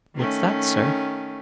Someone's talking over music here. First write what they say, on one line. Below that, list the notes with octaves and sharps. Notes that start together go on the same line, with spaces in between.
"What's that, sir?"
D#3 A3 C#4